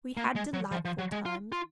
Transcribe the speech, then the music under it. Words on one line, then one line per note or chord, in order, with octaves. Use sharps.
We had delightful times.
A#3
G#3
F#3
F3
F3
F#3
G#3
F4
F4